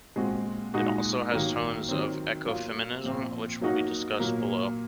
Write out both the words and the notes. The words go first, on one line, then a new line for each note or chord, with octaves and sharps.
It also has tones of ecofeminism, which will be discussed below.
A#2 G#3 C4 F#4
A#2 G#3 D#4 F#4
D#3 F#3 A#3
D#3 F#3 C4
F#3 A#3 F4
A#2 F3 C4
F#3 A#3 D#4 F#4
A#2 F#3 A#3